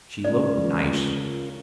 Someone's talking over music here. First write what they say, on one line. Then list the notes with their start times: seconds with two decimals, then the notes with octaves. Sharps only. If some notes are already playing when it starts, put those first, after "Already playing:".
She looked nice.
0.24 C#2 C#4 F4 A#4 D5